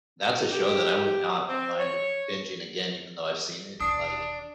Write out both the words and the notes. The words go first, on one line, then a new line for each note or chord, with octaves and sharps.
that's a show that I would not mind bingeing again, even though I've seen it, like
G4
C4
C#5
E1 D#2 D4 D#6 C7